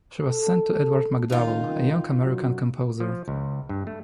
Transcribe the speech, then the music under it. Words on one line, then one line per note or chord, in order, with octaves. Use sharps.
She was sent to Edward MacDowell, a young American composer.
A4
C#2 D#3 D#4 F4
F#2 F#3 F#4
F3
C#2
G2
A3